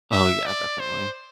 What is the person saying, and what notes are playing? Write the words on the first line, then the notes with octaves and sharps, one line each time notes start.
Oh, yeah, definitely.
E5
D5
C5